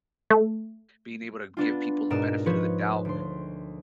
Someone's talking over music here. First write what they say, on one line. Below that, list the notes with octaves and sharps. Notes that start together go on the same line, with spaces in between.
being able to give people the benefit of the doubt,
A3
B3 D4 F4
G#2 B2 A#4 D5 D#5 E7
F3 B4 C#5
D2 C6